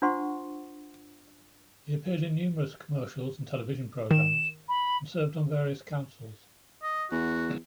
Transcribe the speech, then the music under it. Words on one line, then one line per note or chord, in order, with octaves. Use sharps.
He appeared in numerous commercials and television programs and served on various councils.
D4 F4 C5 F#5 C6 C#6
D#3 E7
B5
D#5
E2 F#4